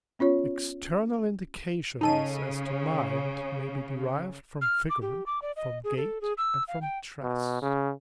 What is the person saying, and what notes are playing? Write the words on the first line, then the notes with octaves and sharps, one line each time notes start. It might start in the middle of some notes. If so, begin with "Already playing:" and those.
External indications as to mind may be derived from figure, from gait, and from dress.
B3 C#4 F4 C#5
C#3 D#4 A4 D#7
F6
D6
G4
D6
D5
D#5
G#4
A4
G#4
E6
F5
G5
B2
C#3